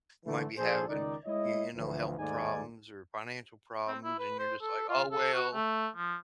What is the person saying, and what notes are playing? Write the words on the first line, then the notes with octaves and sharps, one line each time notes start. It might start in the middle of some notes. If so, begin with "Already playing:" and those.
you might be having, you you know, health problems or financial problems and you're just like, "Oh well,"
D3 E3 A3
A#2 F3 D4 G#4 A4 C5
C#2 D#3 D#4 D5
G#3 E4 C#5 D#5
D2 E3 F3
D#2 G#2 A3 D#4 D5 G#5
C4
E4
B4
C5
A4
F4
A4
F#4
A3
F3